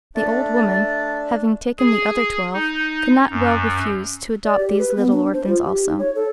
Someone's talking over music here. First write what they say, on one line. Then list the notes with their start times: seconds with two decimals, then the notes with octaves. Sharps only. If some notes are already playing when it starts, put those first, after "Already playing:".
The old woman, having taken the other twelve, could not well refuse to adopt these little orphans also.
0.16 A3 D4 A6
1.79 G#4
2.54 D#4
3.31 F#2
4.44 D5
4.58 G4
4.79 B4
4.97 B3
5.11 D4
5.33 C5
5.47 F4
5.65 G4
5.86 D#4
5.99 C#5
6.15 A4